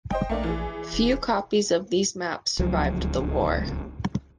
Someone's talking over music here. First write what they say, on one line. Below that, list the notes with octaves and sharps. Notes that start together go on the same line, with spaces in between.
Few copies of these maps survived the war.
F#1 C5 D#5 G5
A#1 A3 A#3 D4
E3 G#4
E1
D1 C#2 F3 F#3